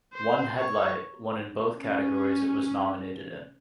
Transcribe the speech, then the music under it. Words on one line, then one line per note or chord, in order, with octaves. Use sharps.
"One Headlight" won in both categories it was nominated in.
C5
C#5
C#4